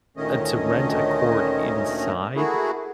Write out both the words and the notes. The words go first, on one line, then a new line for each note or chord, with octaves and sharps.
uh, to rent a court inside
D2 A#2 D#3 A3 C#4 D#5
A3 A#3 E4 F#4 G#4